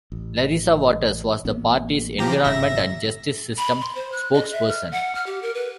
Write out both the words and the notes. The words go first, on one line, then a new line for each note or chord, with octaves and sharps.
Larissa Waters was the party's environment and justice system spokesperson.
A1
A1 A#3 B3
E3 F3 G4 A#5
G1 G#2 C3 E5 A#6
B5
C6
C5
F#6
D#5
E5
F6
F#5
F6
G4
A#4
B4